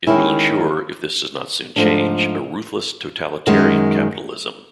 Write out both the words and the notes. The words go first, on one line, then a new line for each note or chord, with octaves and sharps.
It will ensure, if this does not soon change, a ruthless totalitarian capitalism.
D#3 G#3 C#4 E4
G#2 F3 A3 D4
F#2 D#3 G#3